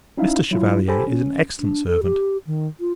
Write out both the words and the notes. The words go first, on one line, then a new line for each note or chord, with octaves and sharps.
Mr. Chevalier is an excellent servant.
C#4 D#4 E4 E5 F5
F#3 E4 F4
G4 A4 C5 G#5 B5
C#4
D4
A4
G4
D#3
F4